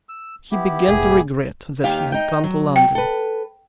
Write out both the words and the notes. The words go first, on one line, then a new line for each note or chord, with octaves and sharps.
He began to regret that he had come to London.
E6
B3 E4 G4
F1 A#2 G#4
D#2 G4 F5
D#4 G5
F#3
G5
A4 B4